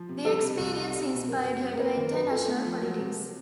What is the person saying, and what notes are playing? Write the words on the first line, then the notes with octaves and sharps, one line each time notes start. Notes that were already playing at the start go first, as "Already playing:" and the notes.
The experience inspired her to enter national politics.
Already playing: F3
C3
G3 A4
C3
C2
D#4
G3
B2
F#2 A#4
C#3
F#2
A#4
A#3 B4
D#3 A#4
F#2 B4
F4 A4
A3
F3
F#3
C3